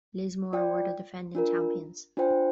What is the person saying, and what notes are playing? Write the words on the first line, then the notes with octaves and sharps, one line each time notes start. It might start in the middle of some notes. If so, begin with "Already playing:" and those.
Lismore were the defending champions.
F4 D5 G5
D4 F4 A#4
D4 F4 C5 G5